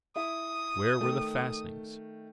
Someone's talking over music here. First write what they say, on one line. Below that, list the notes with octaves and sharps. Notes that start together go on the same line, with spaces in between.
Where were the fastenings!
E4 D#6
D#3 A3